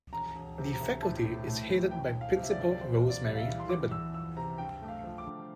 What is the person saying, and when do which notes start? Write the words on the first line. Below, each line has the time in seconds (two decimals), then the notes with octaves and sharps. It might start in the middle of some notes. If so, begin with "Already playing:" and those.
The faculty is headed by Principal Rosemary Libbon.
0.13 E1 A#5
0.35 E1
0.58 C3
0.73 A#5
0.80 D2
1.02 A2 A5
1.25 A2
1.47 A3
1.69 E3
1.91 E1 G5
2.14 E1
2.21 F5
2.36 C3
2.43 E5
2.50 D5
2.58 D2
2.71 D5
2.81 E2 C5
3.02 A#3
3.10 D5
3.25 G3
3.35 F5
3.40 E5
3.48 E3
3.60 C6
3.69 E2 D6
3.91 E2 E6
4.14 F3 E6
4.37 C3 A#5
4.58 G2 G5
4.81 A3
4.88 F5
5.04 F3
5.18 D6
5.26 D3